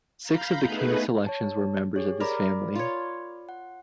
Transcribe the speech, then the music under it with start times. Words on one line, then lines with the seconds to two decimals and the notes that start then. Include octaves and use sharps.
Six of the King's selections were members of his family.
0.23 F5 A#5 B5 G6
0.61 A3 B3 D#4 G#4 B4
1.27 C#5 A5
1.96 G4 G#4 C#5
2.20 A#4 D5 B5 D6
2.75 F4 C#5
3.49 F#5